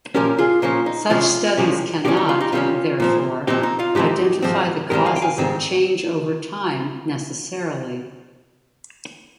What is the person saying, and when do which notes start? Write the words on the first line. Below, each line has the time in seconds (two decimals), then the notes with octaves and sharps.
Such studies cannot, therefore, identify the causes of change over time necessarily.
0.15 A#2 F3 A#3 C#4 G4 A#4
0.39 F4 G#4
0.62 A#2 F3 A#3 C#4 F4
0.86 D#4
1.10 C2 C3 F3 G#3 C#4 F4
1.57 C2 C3 F3 G#3 C#4
2.05 C3 D#3 G3 C#4 D#4 G4
2.17 D#4
2.29 F4
2.41 D#4 G4
2.52 C3 D#3 G3 C#4 F4
3.00 A#2 F3 C4
3.47 A#2 F3 C4 D#4 G4
3.63 D#4
3.80 F4
3.95 G#2 F3 C4 D#4 G4
4.42 G#2 F3 C4
4.90 G#2 D#3 G3 C4 G4 A#4
5.06 F5 G#5
5.16 G5
5.22 F5 G#5
5.38 G#2 D#3 G3 C4